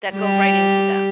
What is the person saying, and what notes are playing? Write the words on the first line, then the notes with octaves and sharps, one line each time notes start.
that go right into them,
G3 G4